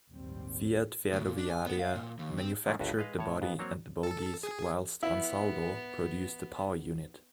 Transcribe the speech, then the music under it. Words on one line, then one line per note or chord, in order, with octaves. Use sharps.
Fiat Ferroviaria manufactured the body and bogies, whilst "Ansaldo" produced the power unit.
A#1 D#2 G#2 G3 C4
D2
A#2
D4
G#5
B3
F5
A#2
D#2
C4
G#2 D#3 F3 A3 A#3 E4
G1 C#2 G2 F#4 B4 E5
G#3 B4 D#5 F5
A2 C#5 A5
F2 B3
F#3 A#3 C4 C#5 F#5
A4
G#4
B3 E4